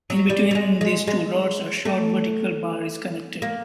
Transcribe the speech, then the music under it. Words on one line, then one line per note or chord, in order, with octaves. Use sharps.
In between these two rods, a short vertical bar is connected.
F#3
G3
G3
G#3
G#3
G#3
A3
A#3